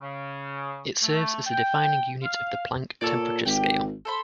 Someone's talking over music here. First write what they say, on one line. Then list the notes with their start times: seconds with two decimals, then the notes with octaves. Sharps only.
It serves as the defining unit of the Planck temperature scale.
0.02 C#3
1.03 A3
1.46 G5
2.23 F5
3.01 A#2 A4 C#5 D5
3.45 G#1 G4 G5
4.05 A4 C5 B5